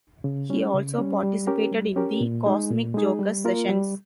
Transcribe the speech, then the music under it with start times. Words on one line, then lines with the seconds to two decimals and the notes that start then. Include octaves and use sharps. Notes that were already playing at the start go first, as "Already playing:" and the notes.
He also participated in the Cosmic Jokers sessions.
0.24 C#3
0.50 G3 C#4
0.74 C#3
0.98 G3 C#4
1.23 G3
1.47 C#4 G4 A#4
1.71 G3
1.96 C#4 G4 A#4
2.21 A#2
2.46 G#3 D#4 G#4
2.71 A#2
2.94 G#3 D#4 G#4
3.19 G3
3.45 A#3 F4 A#4
3.69 G3